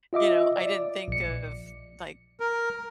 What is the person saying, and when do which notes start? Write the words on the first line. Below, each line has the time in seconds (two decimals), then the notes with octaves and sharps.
you know, I didn't think of, like,
0.13 F4 D#5 E5 D6
0.56 D5
1.08 A#1 C#7
2.40 A#4